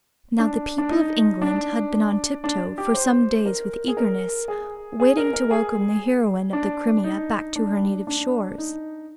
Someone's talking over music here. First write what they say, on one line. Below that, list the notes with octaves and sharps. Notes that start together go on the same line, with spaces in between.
Now, the people of England had been on tiptoe for some days with eagerness, waiting to welcome the heroine of the Crimea back to her native shores.
D4
D4
D#4
D4
D4
G4
C5
A#4
G#4
A#4
G#4
G#4
A#4
A#4
G#4
D4
D#4
D4
D4
D#4